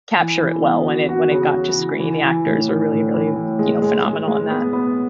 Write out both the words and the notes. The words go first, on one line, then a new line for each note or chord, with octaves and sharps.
capture it well when it when it got to screen, the actors were really, really, you know, phenomenal in that.
E3
E3
B3
F#4
F#4
C#3
C#3
E3
E3
E3
A2
E3
A2
E3
A2
G#3
G#3
G#3
G#3
B3
B3